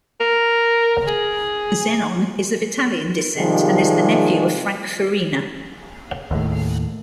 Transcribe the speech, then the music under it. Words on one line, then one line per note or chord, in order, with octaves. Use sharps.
Zenon is of Italian descent and is the nephew of Frank Farina.
A#4
G#4
C3 D#3 F3 G3 G#3 G#4
D#2 A2